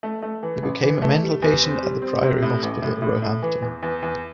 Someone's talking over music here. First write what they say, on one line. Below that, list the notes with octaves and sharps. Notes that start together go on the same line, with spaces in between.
He became a mental patient at the Priory Hospital, Roehampton.
A3
A3
E3
A1
E3
A3
G3
E2
C4
G3
C4
C3
A2
A1
A2
A2
A2
E3
E2
E2
E2